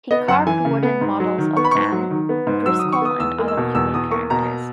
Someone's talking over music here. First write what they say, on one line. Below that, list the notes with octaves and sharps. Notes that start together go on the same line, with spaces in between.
He carved wooden models of Ann, Driscoll, and other human characters.
B3 D#5
F#2 F#5
E3 G#5
C#3
B3
G#2
F#3
D#3
B3 C#6
B5
G#2 C#6
F#3
D#3
B3
G#2
F#3 E6
D#6
D#3
C#6
B3 D#6
E2 E6
A#3
E6
B2
E2 E6
E2 D#6
A#3 C#6
B2 A#5